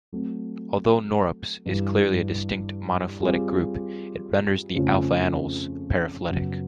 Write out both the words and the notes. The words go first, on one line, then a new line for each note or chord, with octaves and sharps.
Although "Norops" is clearly a distinct, monophyletic group, it renders the "alpha anoles" paraphyletic.
F#3 A3 C4
G2 E3 G3
G3 C4 F4 G#4
F2 C#3 F3 A3 C#4
F#2 C#3 F#3 B3